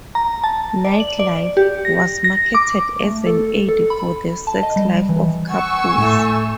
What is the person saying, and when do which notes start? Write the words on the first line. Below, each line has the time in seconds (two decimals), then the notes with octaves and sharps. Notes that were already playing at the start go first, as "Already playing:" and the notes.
"Night Life" was marketed as an aid for the sex life of couples.
0.15 A#5
0.44 A5
0.85 D5
1.00 F#7
1.19 D5
1.57 G4
1.85 A#6
2.24 A#6
2.55 D6
3.03 A3
3.26 A4
3.69 A4
3.90 B5
4.47 A5
4.63 D#5
4.76 G3
5.09 E3
5.49 F#5 G#5 C#6 E6
5.98 A2 A3